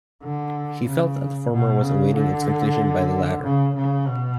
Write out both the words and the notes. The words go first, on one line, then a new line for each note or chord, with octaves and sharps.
He felt that the former was awaiting its completion by the latter.
D3
C#3
B2
C#3
D3
C#3
C#3
B2